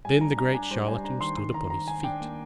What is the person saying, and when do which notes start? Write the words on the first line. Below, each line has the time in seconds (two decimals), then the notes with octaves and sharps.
Then the great charlatan stood upon his feet.
0.05 G3 G#5
0.21 D4 A#5
0.38 D4 A#5
0.54 D4 G#5
0.71 G3 C5
0.87 G3 G#5
1.04 D4 A#5
1.21 D#3 C6
1.37 D#3 C6
1.54 D#3 A#5
1.70 D#3 A#5
1.88 D#3 G#5
2.04 D4 G5
2.21 A#3